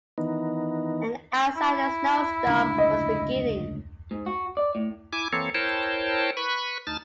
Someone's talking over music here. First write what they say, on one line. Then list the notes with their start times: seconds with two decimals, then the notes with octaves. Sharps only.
And outside a snowstorm was beginning.
0.18 D#3 E3 B3 D#4
1.57 E4
2.46 D1 C#2 D4
2.78 D#5
4.11 G#2
4.26 F#4
4.57 D5
4.75 A2
5.13 E4 G#5 D6
5.33 E3 A#3 C4 A4 C#5
5.54 E4 A#4 C5 C#5 G5 A5
6.37 B4 B5 C#6
6.87 D2 D#4 A5 F6 A6